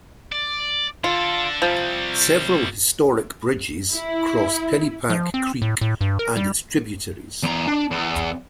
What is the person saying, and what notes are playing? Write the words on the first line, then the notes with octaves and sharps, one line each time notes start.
Several historic bridges cross Pennypack Creek and its tributaries.
D5
D4 F4 A4
C3 F3 G3
E4
F3
C4
A2
A2
G2
A#4
G3
E2 A#5
D4
E2